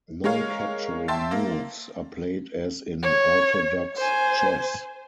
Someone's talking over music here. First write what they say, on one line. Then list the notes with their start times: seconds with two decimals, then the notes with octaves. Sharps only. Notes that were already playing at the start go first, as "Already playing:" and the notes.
Non-capturing moves are played as in orthodox chess.
0.24 G#3 A#4 C#5 F5
1.08 E5 G5 A5 C6 A6
1.31 A#3
3.03 C#5
3.97 C5 G#5